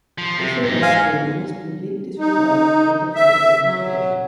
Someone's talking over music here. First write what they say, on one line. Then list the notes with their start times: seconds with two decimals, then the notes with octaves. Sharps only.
This had led to an almost complete disregard for native folklore and tradition.
0.18 F3
0.38 C3
0.63 G#2 D#4
0.82 F5 G#5
2.18 D#4
3.15 E5
3.64 F#3